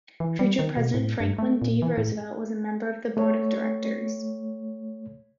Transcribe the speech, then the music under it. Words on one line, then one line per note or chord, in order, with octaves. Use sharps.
Future President Franklin D. Roosevelt was a member of the board of directors.
E3
G3
D#3
B2
A2
G2
A3
A#2
E3
A2
A3 C#5